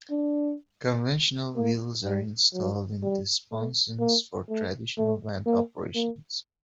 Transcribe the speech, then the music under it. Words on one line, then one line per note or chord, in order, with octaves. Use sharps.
Conventional wheels are installed in the sponsons for traditional land operations.
D4
A#3
G3
F#3
G3
A3
A#3
A3
A3
A#3
A#3